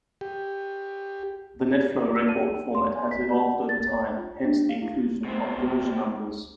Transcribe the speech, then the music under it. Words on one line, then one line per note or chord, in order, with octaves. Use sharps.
The NetFlow record format has evolved over time, hence the inclusion of version numbers.
G4
E6
D#7
C6
G#5
B6
D5
A6
C#5
F4
D4
F5
E4
B2 C4